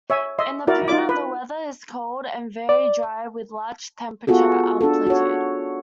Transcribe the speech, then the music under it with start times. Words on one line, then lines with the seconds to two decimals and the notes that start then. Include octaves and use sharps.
In the Puna the weather is cold and very dry with large temperature amplitude.
0.10 C#5 E5 G#5
0.39 D#5 E5 C6
0.67 E4 F#4 A#4 D5
0.88 D#4 F4 D5 D6
1.09 B4
2.69 D5
4.27 B3 F4 F#4 G#4 A4
4.81 D4 A4
5.07 F#4 C#5